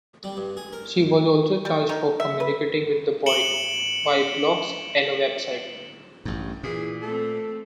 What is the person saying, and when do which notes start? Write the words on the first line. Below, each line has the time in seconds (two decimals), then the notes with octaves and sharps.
She was also charged for communicating with the boy via blogs and a website.
0.24 G3
0.37 G2
0.57 G#4
0.73 A#4
1.65 G3
1.89 D#3
2.20 E5
2.40 B4
3.26 C#7 D7 E7 F#7 G7
6.25 A1 G2
6.63 A#2 E3 G#4
7.02 A3 C4 A4